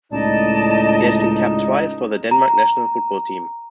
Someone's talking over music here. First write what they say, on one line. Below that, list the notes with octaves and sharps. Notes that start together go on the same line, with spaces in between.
He has been capped twice for the Denmark national football team.
C#2 A2 D#4 D5 D#5 A5
A#5